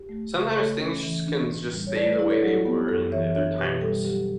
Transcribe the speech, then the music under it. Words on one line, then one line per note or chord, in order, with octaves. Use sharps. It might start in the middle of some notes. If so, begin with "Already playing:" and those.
Sometimes things sh can just stay the way they were and th they're timeless,
Already playing: G4
A3
C#3
A3 A4 C#5
C#4
E3
D4
A2
G3
C#5
A3 B4 D5
B4 D5
E4
A4 C#5
F#3
A4
B3 G4
F#2 A4
E3 C#5 E5
D4 C#5 E5
B2 G4 B4
G3 A4
F#3 G4